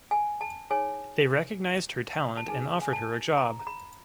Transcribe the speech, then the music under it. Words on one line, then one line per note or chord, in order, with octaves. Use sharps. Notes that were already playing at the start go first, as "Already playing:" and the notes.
They recognized her talent and offered her a job.
G#5
A5
D#4 G#4 C#5 G#5
A5
D#4 G#4 B4 G#5
G#5
A5
A#5
A#5
B5